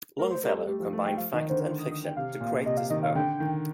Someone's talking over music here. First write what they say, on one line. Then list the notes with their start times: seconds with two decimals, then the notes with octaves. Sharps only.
Longfellow combined fact and fiction to create this poem.
0.18 A3 A#4
0.31 C5
0.43 G3 A#4
0.55 A4
0.59 G3
0.67 A3 G4
0.80 F3 G4
0.93 A3
1.05 G3 G5
1.17 F3 F5
1.33 D#3 D#5
1.50 D3 C5
1.60 A#4
1.67 C5
1.79 D#5
1.91 D#5
2.04 G5
2.16 C3 F5
2.40 A#2
2.65 C3 D#5
2.77 F5
2.90 D#3 D#5
3.03 F5
3.15 D3 G5
3.40 D#3